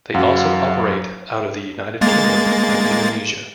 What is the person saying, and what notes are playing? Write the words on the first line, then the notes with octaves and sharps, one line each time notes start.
They also operate out of the United Kingdom and Indonesia.
F#2 F#3 F5 F#5
G#3 A#3 A6